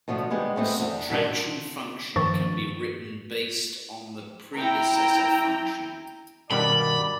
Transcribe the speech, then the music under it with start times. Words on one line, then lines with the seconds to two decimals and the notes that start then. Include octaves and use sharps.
The subtraction function can be written based on the predecessor function.
0.08 B2 D3 F3 A3 B3
0.30 G3 G#3 B3 G4 G#4
0.57 A3 B3 C4 D4 F4 D#5
0.80 E2 D3
1.10 B2 G3 D4 A#4
1.24 F4
2.16 G2 D#3 F3 C#6 A6
4.55 E4 G5 A#5
6.50 G2 B2 D#3 D5 B5